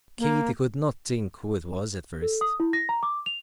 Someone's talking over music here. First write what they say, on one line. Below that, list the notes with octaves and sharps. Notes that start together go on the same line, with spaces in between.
Katy could not think who it was, at first.
A#3
A4
D#6
E4
A#6
A#5
D6
F7